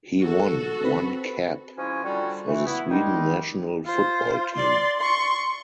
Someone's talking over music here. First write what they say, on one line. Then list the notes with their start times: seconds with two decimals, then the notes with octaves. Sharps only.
He won one cap for the Sweden national football team.
0.22 F#4 A4
0.84 C4 B4 B5
1.78 F3 G#3 C#4 E4 F#4 G#5
2.04 D3 D#3 G3 F4 F#4
2.47 E3 A3
2.66 B3 E4
2.89 D#3 G3 G#3 D#4
3.86 F4 C5
4.54 D5 C6
4.97 C6 C#6